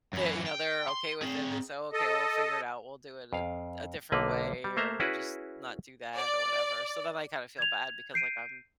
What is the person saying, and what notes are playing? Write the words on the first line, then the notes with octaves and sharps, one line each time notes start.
they you know, they're okay with it, they say, "Okay, we'll figure it out. We'll do it a a different way or we'll just not do that or whatever." So, then I kinda feel bad because, like, I'm
F#2 E3
G5
C6
C4 G#4
A4 D#5
F2 F5
B1 D3 A#3 B4
G3
A3 A#3 C5 E5 A#5
C#4 E4 F#4 G#4 B4
D5
G#6 F7
G6 C7 D7 D#7